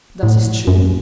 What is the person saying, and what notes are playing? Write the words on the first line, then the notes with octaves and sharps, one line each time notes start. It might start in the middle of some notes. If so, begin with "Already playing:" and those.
"That is true."
A2
F#2